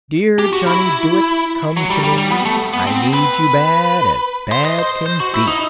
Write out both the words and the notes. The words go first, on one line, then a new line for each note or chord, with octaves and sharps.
"Dear Johnny Dooit, come to me. I need you bad as bad can be."
G4
F#4
E4
F#3
G3
G3
G3
B3
A3
B3
C4
B4
C5
D#5
C5
C5
F#4
E4
D#4